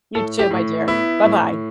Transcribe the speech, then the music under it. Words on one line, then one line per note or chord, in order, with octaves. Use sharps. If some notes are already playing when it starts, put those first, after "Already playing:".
You, too, my dear. Bye bye.
A2 A4
G4
A2
B3 E4
A2